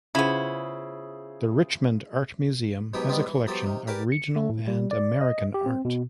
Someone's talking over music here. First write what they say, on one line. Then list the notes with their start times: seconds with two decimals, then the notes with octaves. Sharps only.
The Richmond Art Museum has a collection of regional and American art.
0.15 C#3 B3 E4 F4 G#4 C5
2.94 G#2 B2 F#3 B3 E4 G4
3.09 D#3 G3 G#3 B3 C4
3.28 E3
3.47 E3 F#3 B3 G4 A4 C5
3.64 C3 D#3
3.87 G4 A#4 B4 D5 G#5 A5
4.12 C#7
4.36 A3
4.49 A2
4.68 G3
4.91 D5
5.21 D#5
5.54 G4
5.66 C4
5.85 B2